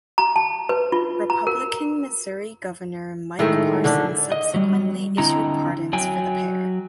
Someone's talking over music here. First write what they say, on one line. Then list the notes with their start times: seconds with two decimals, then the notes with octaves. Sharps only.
Republican Missouri Governor Mike Parson subsequently issued pardons for the pair.
0.18 A#5
0.36 A5
0.69 B4
0.92 F4
1.30 A#5
1.47 A#4
3.39 A2 D#3 G#3 A3
3.84 D3 C#4 D4
4.32 D#5
4.54 F#3 G3
5.18 D3 C4 E4 D#5 A#5
5.93 F#3 G5 G#5